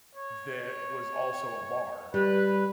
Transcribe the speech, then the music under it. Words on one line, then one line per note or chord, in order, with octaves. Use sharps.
that was also a bar,
C#5
G3 B4